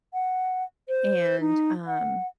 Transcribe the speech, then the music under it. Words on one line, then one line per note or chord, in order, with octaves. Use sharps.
And, um,
F#5
C5
D#4
F#5